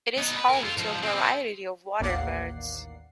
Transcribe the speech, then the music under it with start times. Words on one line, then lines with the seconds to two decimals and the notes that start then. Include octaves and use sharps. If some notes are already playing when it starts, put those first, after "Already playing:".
It is home to a variety of water birds.
0.18 B3 D#4
0.37 B4
0.49 G#4 A#4
0.64 F4 A4
0.77 G#2 F3
1.03 C4 G#4
2.00 A1 D#2 A#3 D5 F#5 C7